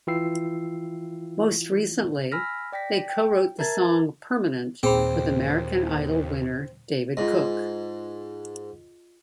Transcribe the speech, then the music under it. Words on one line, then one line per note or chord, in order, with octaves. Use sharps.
Most recently, they co-wrote the song "Permanent" with American Idol winner David Cook.
E3 E4 F4 G5 E6 C7
G#5 B5 E6 F6 A#6 B6
D5 G5 A#6 B6
G5
A#4 E5 A5 A#5 G#6 A6
D#2 A#2 C4 G#4 G5 B5
G#2 F4 D#5